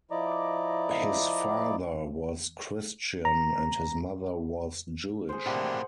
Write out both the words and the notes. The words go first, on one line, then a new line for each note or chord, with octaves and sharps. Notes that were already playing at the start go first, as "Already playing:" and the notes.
His father was Christian and his mother was Jewish.
F3 E4 D5 D#5 A#5 D6
A#5
G#4 C5
A2 C3 A#3 D4 F#5